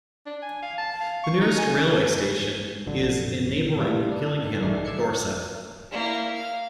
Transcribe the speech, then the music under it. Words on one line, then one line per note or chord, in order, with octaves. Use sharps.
The nearest railway station is in neighbouring Gillingham, Dorset.
D4
G#5
F5
A5
F5
C#6
D#4
G#5
A#1 F#2 D3
G2 A#2 C#3 E3 G3 F4
D4
D#3
A1 D#3 G#3 A3 D4 C7
D5 E6 G#6 C7 C#7
A#3 E4
F5